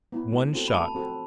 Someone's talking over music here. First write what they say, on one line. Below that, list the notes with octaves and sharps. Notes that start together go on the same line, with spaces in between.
One shot!
B3 E4
A3
C4 F#4 A4
B5
A3 A5
C4 F#4 A4